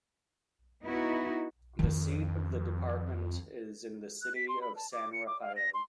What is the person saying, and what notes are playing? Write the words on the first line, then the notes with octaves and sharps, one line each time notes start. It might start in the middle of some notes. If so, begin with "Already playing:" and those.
The seat of the department is in the city of San Rafael.
B3 D#4 E4 F#4
F2 D#3 D4
F#6
B6
C6
B5
A5
D6
C#7
D6
F5
A#6
C6